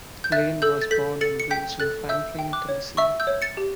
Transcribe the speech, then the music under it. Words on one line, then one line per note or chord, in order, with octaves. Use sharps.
Lane was born and raised in Franklin, Tennessee.
G6
E5 F#6 A6
A4 E6 G6
A6
A4 G6 B6
A4 A6 C#7
C#7
G5 G6 B6
A4 F#6 A6
E5 E6 G6
G5
D6 F#6
C#5
E5 C#6 E6
E6 G6
C#5
A6 C#7
G4